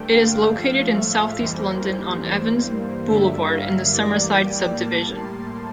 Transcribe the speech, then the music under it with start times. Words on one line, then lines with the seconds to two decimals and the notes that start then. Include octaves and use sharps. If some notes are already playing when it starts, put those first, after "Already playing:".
It is located in south-east London on Evans Boulevard, in the Summerside subdivision.
Already playing: G2 D3 A3 G5
0.12 F5
0.55 A2 F3 A3
0.97 E5
1.38 F2 E3 G3 A#3 C5
2.23 G2 E3 G3 A#3
3.07 G2 D3 G3 A#3 E5
3.50 F5
3.92 G2 E3 G3 A#3 D5
4.34 G5
4.76 A2 G3 A#3 A5
5.17 C6